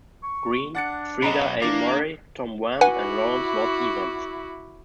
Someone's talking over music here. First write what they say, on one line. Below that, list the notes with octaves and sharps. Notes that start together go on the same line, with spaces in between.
Green, Frieda A. Murray, Tom Wham, and Lawrence Watt-Evans.
C#6
D4 F#5 A6 C#7
B2 F#3 D#5 A#5 B5
E3 A#3 D4 D6 A6
E4 F#4 B4 F#5 G#5 D6